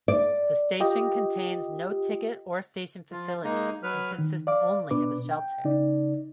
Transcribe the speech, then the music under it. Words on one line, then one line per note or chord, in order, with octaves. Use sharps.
The station contains no ticket or station facilities and consists only of a shelter.
D5
F4 G4 D#5
F3 F4
G#3 A#3 D#4
F#3 B4 F6
D#3
D5 F5 D6
B2 D4 B4 D6
G5
C#3 D#4 D5